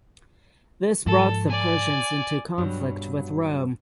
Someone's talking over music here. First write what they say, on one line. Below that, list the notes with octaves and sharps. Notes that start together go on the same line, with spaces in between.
This brought the Persians into conflict with Rome.
G#2 F3 A4
D5 G#5
G2 B2 F#3 G3